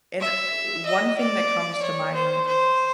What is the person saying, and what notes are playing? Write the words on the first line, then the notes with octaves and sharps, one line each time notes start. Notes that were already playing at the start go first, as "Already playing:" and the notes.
and one thing that comes to mind
E5
D#5
D5
C#5
C5
C5